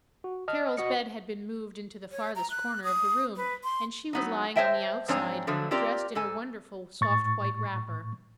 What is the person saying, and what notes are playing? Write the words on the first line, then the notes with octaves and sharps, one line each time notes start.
Carol's bed had been moved into the farthest corner of the room, and she was lying on the outside, dressed in a wonderful soft white wrapper.
F#4
D#5 A5 F6
F#4 D#5 C#7
C#5
A#5
F#6
D#6
B4
C6
F#3 B3 D#4
C5 C#5 D#5 E5 G5 A5
G#2 F3 C4 D4 C#5 G#5
D3 F3 F#3 A3
C4 F4 G4 A#4 D5
G#2 A4 G#5
A2 C#6 A6